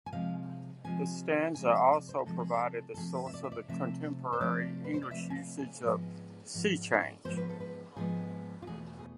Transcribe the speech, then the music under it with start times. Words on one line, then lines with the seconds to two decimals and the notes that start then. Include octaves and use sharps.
This stanza also provided the source of the contemporary English usage of "sea change".
0.06 G#5
0.12 C3 F3 G#3 F5
0.84 C3 F3 G#3 G#5
1.55 C3 F3 G#3 G#5
1.91 D5
2.09 C5
2.26 C3 F3 G#3 A4
2.39 G#4
2.53 A4
2.94 A4
2.97 C3 F3 A3 G#4
3.15 B4
3.26 E5
3.34 D5
3.44 E5
3.52 D5
3.68 C3 F3 A3 E5
4.33 C5
4.40 C3 F3 A3 D5
4.84 B4
4.94 C5
5.02 D5
5.11 C3 F3 A3 E5
5.30 G#5
5.35 F5
5.59 G#5
5.82 G#2 F3 G#3 B3
6.54 G#2 F3 G#3 B3
7.24 G#2 F3 G#3 B3 C5
7.37 B4
7.49 A4
7.60 B4
7.96 G#2 F3 G#3 B3 G#4
8.62 F4
8.67 E2 B2 A3 G#4
8.99 G#4